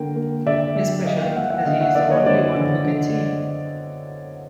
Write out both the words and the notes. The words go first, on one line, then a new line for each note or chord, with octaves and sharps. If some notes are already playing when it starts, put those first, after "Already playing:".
Especially as he's the only one who can see him.
Already playing: D3 A#3 G5
A#3
D3 D5 E5
F#3 D5 E5
A#3 D#5 F5
F5 G5
A#3 E5 F#5
E5 F#5
D3 D#5 F5
E5 F#5
A#3 D5 E5
C#5 D#5
D3 C5 D5
D3
D3